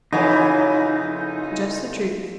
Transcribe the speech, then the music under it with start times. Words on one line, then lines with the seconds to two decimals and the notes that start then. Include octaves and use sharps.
"Just the truth."
0.13 F2 C#3 E3 D#4